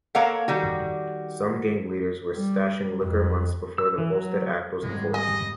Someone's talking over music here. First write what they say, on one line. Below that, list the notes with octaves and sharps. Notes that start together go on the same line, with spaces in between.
Some gang leaders were stashing liquor months before the Volstead Act was enforced.
A#3 A4 A#4 C#5 F5 F#5
D#3 G3 F#4
G3
F2
E6
E3
F#3
G#1 C#2 G3 G#3
D#5 G#5